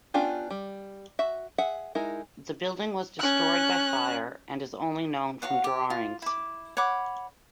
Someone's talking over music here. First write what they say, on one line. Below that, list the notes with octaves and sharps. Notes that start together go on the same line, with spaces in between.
The building was destroyed by fire and is only known from drawings.
B3 C#4 D4 F4 G4
G3
F#4 E5
G#4 E5 F#5
G#3 D#4 E4 A#4
C#4 F#6
F#4 C#5 F5 F#5
G4
F4
E4 D6
C#5 F#5 B5 D6